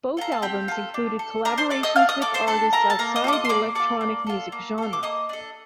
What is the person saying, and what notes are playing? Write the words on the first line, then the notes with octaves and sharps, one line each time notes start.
Both albums included collaborations with artists outside the electronic music genre.
F4 A4 A#5
A5
C4 G4 G5
F4 A4
D4
A4
D4 A#4 A#5
C5 C6
A4 D5 D6
D#5 D#6
D4 F5 F6
D#5 D#6
A4 D5 D6
C5 C6
D4 A4 A5
A4 A#4 A#5
A5
A#3 A#4 A#5
D#5 D#6
F4 A4 D6
D#5 D#6
C6
A#3 D5 D6
F4 A4 D5 D6
A#3
F4 A4
A#3
F4 A4
D6
A#3 D#5 D#6
D4 A4